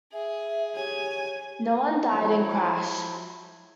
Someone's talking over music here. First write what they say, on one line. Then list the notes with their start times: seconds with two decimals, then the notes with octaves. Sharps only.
No one died in crash.
0.13 G#4 E5
0.76 G4 C#5 G#5
2.08 F3 F#3 E4 C#5